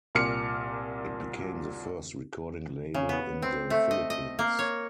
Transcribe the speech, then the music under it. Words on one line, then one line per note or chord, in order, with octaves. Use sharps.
It became the first recording label in the Philippines.
C2 A#2 D6 F6 C#7
C#3
B3
C4
A3
D#5
D#5
A#3
C#5